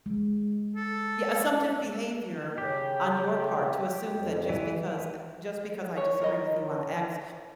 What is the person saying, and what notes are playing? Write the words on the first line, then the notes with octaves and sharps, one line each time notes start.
Yeah, assumptive behavior on your part to assume that just because, uh just because I disagree with you on x
G#3
A4
C#3 G4
F2
E3
C#5
A#4 D#5 B5